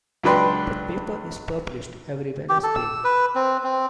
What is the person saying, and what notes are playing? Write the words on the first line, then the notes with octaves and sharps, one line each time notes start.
The paper is published every Wednesday.
C#2 F#3 D4 B4 G5 C6
G4
A4
E6
B4
C4
C4